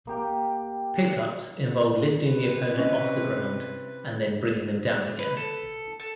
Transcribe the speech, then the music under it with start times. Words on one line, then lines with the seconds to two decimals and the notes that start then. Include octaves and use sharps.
Pickups involve lifting the opponent off the ground and then bringing them down again.
0.07 A#3 G4 G5
2.25 C3 B4
2.77 C#4 E4 D#5
5.19 B4
5.37 A4
6.00 A4